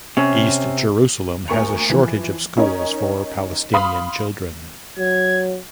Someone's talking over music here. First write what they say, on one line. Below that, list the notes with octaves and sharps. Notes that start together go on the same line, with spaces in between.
East Jerusalem has a shortage of schools for Palestinian children.
C3 C#4
D2 A#3 C#6 C#7 F7
E3 F3
C#4 D#4 A#4 C#5
F5 B5 C6 D#6
F#3 G#6